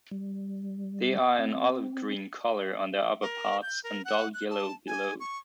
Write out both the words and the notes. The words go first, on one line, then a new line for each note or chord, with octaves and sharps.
They are an olive-green color on their upperparts and dull yellow below.
G3
C4
A#4
G6
A#4
F#5
F#6
A5
G#5
C#6